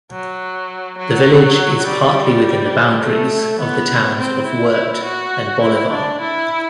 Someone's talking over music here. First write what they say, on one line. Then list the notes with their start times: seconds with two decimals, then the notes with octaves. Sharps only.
The village is partly within the boundaries of the towns of Wirt and Bolivar.
0.12 F#3
0.98 F#3
1.86 G3
3.02 A3
3.59 B3
4.18 C4
4.46 E4
5.04 F#4
5.62 E4
5.92 D4
6.21 E4